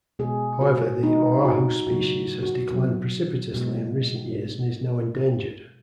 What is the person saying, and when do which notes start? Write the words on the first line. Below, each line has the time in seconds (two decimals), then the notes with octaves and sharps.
However, the Oahu species has declined precipitously in recent years and is now endangered.
0.19 B2 G#3 G#4
0.61 F#4
1.03 B2 G#3 D#4
1.45 F#4
1.87 C#3 F#3 F#4
2.43 F#4
2.71 B2 F#3
3.54 B2 G#3